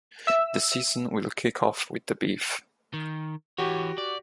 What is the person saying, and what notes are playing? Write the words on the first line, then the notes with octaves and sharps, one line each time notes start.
The season will kick off with the Beef.
E5 E6
D#3
E3 F#4 G4 C#5
D5